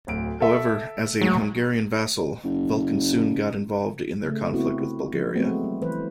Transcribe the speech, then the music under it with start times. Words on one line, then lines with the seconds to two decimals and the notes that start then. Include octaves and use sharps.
However, as a Hungarian vassal, Vukan soon got involved in their conflict with Bulgaria.
0.07 D1 D2 D7
0.40 A4 E5
1.21 D2 G#2 F#3
2.44 F#1
4.26 C#3 A3
4.54 B3 C4 E4 F#4
5.14 F3
5.35 F#3 G#3 A3 B3 C4 F#4
5.64 G3
5.82 E3 B4 C5